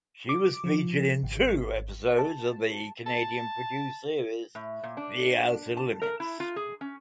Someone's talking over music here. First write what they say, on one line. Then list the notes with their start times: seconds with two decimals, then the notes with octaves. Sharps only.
She was featured in two episodes of the Canadian-produced series "The Outer Limits".
0.29 D6
0.64 F3
1.23 G#1
2.19 A5
3.06 A5
4.55 A2
4.83 A#2
4.97 D4
5.77 A5
6.02 A#4
6.20 E4
6.40 F4
6.56 G#4
6.81 C#4